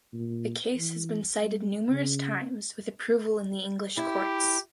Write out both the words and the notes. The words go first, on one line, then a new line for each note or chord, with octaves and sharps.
The case has been cited numerous times with approval in the English courts.
A#2
E3
G3
C#3
E4 G4 E5